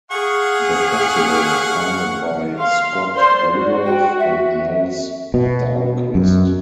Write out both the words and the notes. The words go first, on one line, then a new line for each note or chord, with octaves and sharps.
The festival was founded by Scott Rudolph and Nels Dahlquist.
G#4 F5 F#5 C#6
F5 C6
C5 D5 C6
F#4
G5
E5
B2
F#2